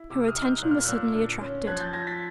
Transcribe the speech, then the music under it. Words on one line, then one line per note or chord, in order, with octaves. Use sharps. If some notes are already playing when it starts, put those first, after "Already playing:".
Her attention was suddenly attracted.
Already playing: E4
C3 D6 E6
D#6 F6
D#4
G6
A#2 F#6
F6
A#2 E6 F#6
D3
C#4
F3 F#6 G#6
G6 A6
F4 G#6 A#6
A6 B6